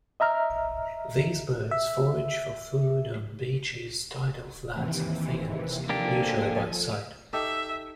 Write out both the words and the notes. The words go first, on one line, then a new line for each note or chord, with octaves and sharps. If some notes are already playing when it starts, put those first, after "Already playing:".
These birds forage for food on beaches, tidal flats and fields, usually by sight.
D#5 E5 A#5 F6
E5
D#2 C3 E3
F3 A#3 D4 G4 A4 G#5
D#4 G4 A4 E5